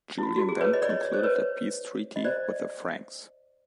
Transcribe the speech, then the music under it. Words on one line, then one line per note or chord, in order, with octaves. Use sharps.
Julian then concluded a peace treaty with the Franks.
E4
F4
F#4
G#4
B4 C#5
D#5
D5
C#5 D#5
C5
B4 C#5
D#5
C5 D5